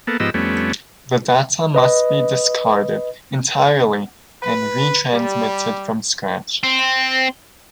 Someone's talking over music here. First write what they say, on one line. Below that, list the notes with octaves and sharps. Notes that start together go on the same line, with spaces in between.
The data must be discarded entirely, and re-transmitted from scratch.
A#3 B3 A4
G#2 F3 B3 G4 D#5 E6
F2 G3 A3 B3 C#4
B4 D#5
B4
G3
C4